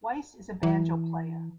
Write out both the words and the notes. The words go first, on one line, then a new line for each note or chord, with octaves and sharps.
Weiss is a banjo player.
E3